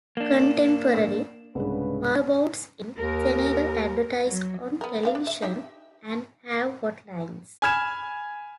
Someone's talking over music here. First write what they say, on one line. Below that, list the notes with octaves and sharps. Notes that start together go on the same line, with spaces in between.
Contemporary marabouts in Senegal advertise on television and have hot lines.
A#3 D4
C2 G#2 C#3 D4 B4
D#2 A#4
F#3
B3 A#4
D3 D4 F5
D4
E5
D#4 G4 E5
G#5 B5 F6 G#6 E7